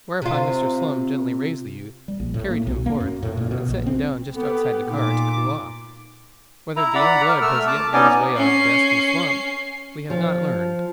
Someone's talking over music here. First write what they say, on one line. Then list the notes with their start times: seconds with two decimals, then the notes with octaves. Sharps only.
Whereupon Mr. Slum gently raised the youth, carried him forth, and set him down just outside the car to cool off. Whether the young blood has yet made his way out of Bascom's swamp, we have not learned.
0.22 C3 F4
2.08 G3
2.20 A#1
2.34 A2
2.50 A#3
2.67 B1
2.86 A#3
3.00 F#2
3.23 A2
3.37 A#2
3.51 B2
3.69 A#1
3.86 C4
4.35 B3 G4 A4
4.89 A#2 D#4 D6
6.76 E4 A#5
6.95 D5 F#5 A#5 B5
7.28 A#4
7.42 A3 E6 F6
7.67 A5 D6
7.93 B3 C#4 D#4 D5 D#5 G#5
8.36 C#4 C7
10.10 F3